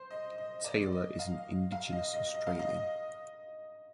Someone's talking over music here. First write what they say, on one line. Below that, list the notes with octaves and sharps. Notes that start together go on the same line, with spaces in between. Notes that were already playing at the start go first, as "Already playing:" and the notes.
Taylor is an Indigenous Australian.
Already playing: C5
D#5
D#5
D5
D#5
F5
F5
D#5
D#5
D#5
F5
D#5